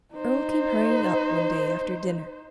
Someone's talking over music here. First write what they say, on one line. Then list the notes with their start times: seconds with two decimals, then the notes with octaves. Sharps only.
Earle came hurrying up one day after dinner.
0.13 D#4 C5